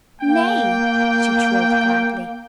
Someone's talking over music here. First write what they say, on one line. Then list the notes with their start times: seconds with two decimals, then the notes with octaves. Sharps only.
"Nay!" she trilled gladly.
0.21 A#3 G5